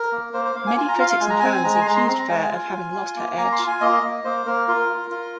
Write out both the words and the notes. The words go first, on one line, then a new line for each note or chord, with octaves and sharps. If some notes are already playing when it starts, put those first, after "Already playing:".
Many critics and fans accused Phair of having lost her edge.
Already playing: A#4
A#3
A#3 C5
C5
A#3 F5
G#5
F4 G#5
A#5
F4 F5
F5
G#3 G#5
A#5
C4 G#5
G#3 A#5
G#5
C6
G#3 A#5
C6
C4 A#5
G#3 G#5
F4
F4
F4
A#3
A#3 A#5
C6
F4
G#5
A#3 D#5
A#3
A#3 C5
A#3 A#4
F4 A#4
F4
F4